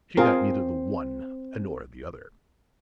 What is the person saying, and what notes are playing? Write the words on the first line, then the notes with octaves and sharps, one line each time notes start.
She got neither the one nor the other.
C4 F4 G#4 A#4